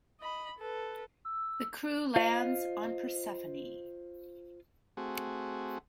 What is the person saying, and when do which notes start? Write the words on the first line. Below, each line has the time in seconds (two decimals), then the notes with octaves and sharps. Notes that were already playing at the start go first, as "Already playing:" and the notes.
The crew lands on Persephone.
0.20 D#5 B5
0.59 A4 B4
1.25 E6
2.16 F4 C5 D#5 F5
4.97 A3 C4 F#4 G#4